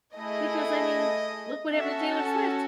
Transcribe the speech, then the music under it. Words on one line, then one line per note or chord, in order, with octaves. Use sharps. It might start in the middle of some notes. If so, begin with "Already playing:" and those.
because I mean, look what happened to Taylor Swift.
A3 E4 G#4 D#5
C#4 F#4 A4 E5
A5